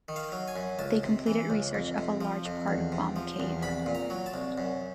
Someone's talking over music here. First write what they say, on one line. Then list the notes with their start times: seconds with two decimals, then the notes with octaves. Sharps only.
They completed research of a large part of Vom Cave.
0.08 D#3
0.16 F5
0.32 F#3
0.48 G#5
0.56 F#2
0.79 C#2 A5
1.03 C3
1.27 E3
1.50 C#2
1.74 F2
1.98 C3
2.21 F3
2.45 F2
2.68 E2
2.92 C3
3.16 F3
3.40 E2
3.63 C2 B5
3.86 A#2
3.95 A#5
4.10 F#3
4.26 A5
4.34 C2
4.58 F#2